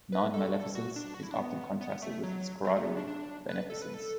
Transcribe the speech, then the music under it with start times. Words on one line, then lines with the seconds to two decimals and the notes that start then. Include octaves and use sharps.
Non-maleficence is often contrasted with its corollary, beneficence.
0.12 B4
0.34 A4
0.49 F#4
0.54 A4
0.75 F#4
0.96 D4
1.14 F#4
1.23 E4
1.31 D4
1.39 B3
1.81 B3
2.02 A3
2.23 F#3
2.65 F#3
2.76 A3
2.86 B3
2.97 D4
3.07 D4
3.49 B4
3.70 A4
3.82 B4
3.94 A4